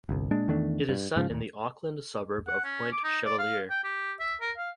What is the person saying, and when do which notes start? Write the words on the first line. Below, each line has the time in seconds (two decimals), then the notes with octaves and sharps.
It is set in the Auckland suburb of Point Chevalier.
0.09 G1 C2
0.31 A#2 G#3 D4
0.48 E2 D#3 A3 D4
0.89 G2
1.16 G#2 C#3 F3
1.30 D#2 A#2
2.47 F#5
2.64 C#4
2.92 D6
3.04 D#4
3.25 D5
3.39 F5
3.70 G5
3.84 G4
4.20 E5
4.41 A#4
4.58 F5